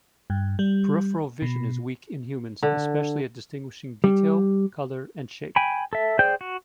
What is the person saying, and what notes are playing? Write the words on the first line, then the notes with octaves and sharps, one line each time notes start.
Peripheral vision is weak in humans, especially at distinguishing detail, color, and shape.
G2
G3
B2
D3
G3
G5 G#5 B5
A4 E5
G#4 C5 D5 G5 G6
F#4